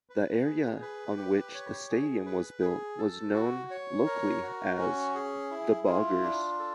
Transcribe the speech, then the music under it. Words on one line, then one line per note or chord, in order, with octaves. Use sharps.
The area on which the stadium was built was known locally as The Boggers.
B4
G#4
B4
G4
C#5
G#4
B4
G#4
A4
F#4
C#5
A#4
F#4
C#4
G#4
E4
F4
D4
A4